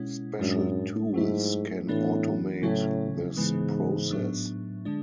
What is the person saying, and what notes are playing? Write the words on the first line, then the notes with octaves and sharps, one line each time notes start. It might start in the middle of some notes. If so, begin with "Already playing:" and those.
Special tools can automate this process.
Already playing: B2 G#3 C#4 E4
F#2 A2 G#3 D4
G#2 F#3 A3 E4
A2 E3 B3 D4
A2 C#3 F#3 C#4 E4
G#2 C#3 E3 G#3 B3
A2 F#3 B3 D4
D3 G#3 D4